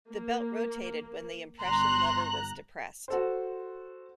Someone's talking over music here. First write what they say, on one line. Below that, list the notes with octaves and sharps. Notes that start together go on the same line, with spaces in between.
The belt rotated when the impression lever was depressed.
A#3
G1 A#5 C6 F#6
F#4 A4 C5